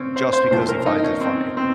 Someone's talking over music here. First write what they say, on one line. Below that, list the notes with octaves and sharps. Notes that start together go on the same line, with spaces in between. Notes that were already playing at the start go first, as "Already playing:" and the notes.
just because he finds it funny.
Already playing: C4 C#4
C5
C5
C2 A#2 F3 A3 C5
A#4
D#4
C#4
C4
C4